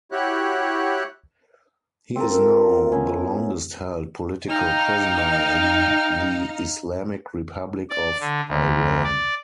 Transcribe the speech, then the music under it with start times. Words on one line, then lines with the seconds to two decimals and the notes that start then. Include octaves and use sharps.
He is now "the longest-held political prisoner in the Islamic Republic of Iran".
0.12 E4 F#4 G4 C#5 F#6
2.16 C4 F4 A4 A#4
2.92 B3 C#4 E4
4.49 D#4 F5 G5 F6
7.90 D5
8.20 D3
8.49 D2
9.04 D5